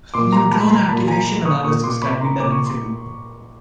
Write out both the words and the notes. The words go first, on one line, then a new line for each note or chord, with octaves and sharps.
Neutron activation analysis can be done in situ.
A#2 C6 D6
A#5 C6
A5 B5
B5
A#5 C6
A#2 A5 B5
G#5 A#5
C#6 D#6
A#2 C#6 D#6
C6 D6
B5 C#6
A#5 C6
A#2 D6
C#6
C6